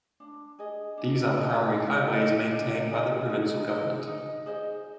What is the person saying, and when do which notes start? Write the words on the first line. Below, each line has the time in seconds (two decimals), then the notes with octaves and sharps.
These are primary highways maintained by the provincial government.
0.20 D4
0.59 G#4 D#5
0.98 D4
1.36 G#4 D#5
1.75 D4
2.14 G#4 D#5
2.52 D4
2.91 G#4 D#5
3.30 D#4
3.69 G#4 C5 D#5
4.07 D#4
4.46 G#4 C5 D#5